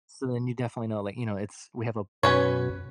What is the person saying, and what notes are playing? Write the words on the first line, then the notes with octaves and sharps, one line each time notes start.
So then you definitely know, like, you know, it's we have a
F#2 B2 C#4 B4 C#5